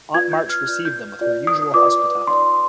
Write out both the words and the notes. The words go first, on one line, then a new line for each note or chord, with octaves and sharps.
Aunt March received them with her usual hospitality.
F4 B4 D5 G#6
G6
F6
F4 B4 D5 F6
G6
F4 B4 D5
D#6
F4 B4 D5 D6
D#4 B4 D5 C6